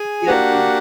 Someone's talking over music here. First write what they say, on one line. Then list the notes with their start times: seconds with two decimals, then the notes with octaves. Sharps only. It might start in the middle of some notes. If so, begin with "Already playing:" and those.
still new.
Already playing: G#4 G#5
0.27 A#3 D4 F#4 G4 F#5